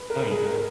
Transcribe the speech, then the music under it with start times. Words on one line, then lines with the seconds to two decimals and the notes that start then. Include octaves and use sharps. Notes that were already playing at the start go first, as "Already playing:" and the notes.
Oh, yeah.
Already playing: B4
0.10 A#4
0.31 G#4
0.45 A#4